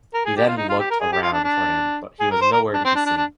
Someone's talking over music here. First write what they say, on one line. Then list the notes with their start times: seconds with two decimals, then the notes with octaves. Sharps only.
He then looked around for him but he was no where to be seen.
0.14 A#4
0.26 G#4
0.37 G4
0.47 F4
0.57 D#4
0.69 F4
0.79 G4
0.90 A#4
1.00 G#4
1.12 G4
1.22 F4
1.33 D4
1.44 D4
2.20 G#4
2.31 A#4
2.42 C5
2.52 A#4
2.73 D4
2.85 C4
2.95 D4
3.06 D4
3.16 D4